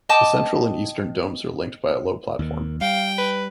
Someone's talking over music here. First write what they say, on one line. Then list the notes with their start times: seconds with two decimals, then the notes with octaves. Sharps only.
The central and eastern domes are linked by a low platform.
0.09 D#5 G5 A5 D6
2.39 D#2 D#3
2.81 G3 F5 G5
3.18 B4